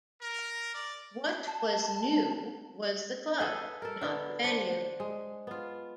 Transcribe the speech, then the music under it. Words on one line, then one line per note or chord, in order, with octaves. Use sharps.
What was "new" was the club, not the venue.
A#4
D5
A5
G#4 A4 B4
A4 A#4
D3 B3
D4 C5
G#3
B3 F4